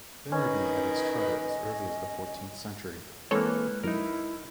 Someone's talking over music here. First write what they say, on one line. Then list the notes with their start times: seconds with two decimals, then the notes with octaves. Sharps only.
Vimmerby had its charter as early as the fourteenth century.
0.32 D#3 C#4 B4 D#5
3.31 E3 G#3 A#3 C4 A4 B4 C#5
3.84 F#2 D#4 E4 A#4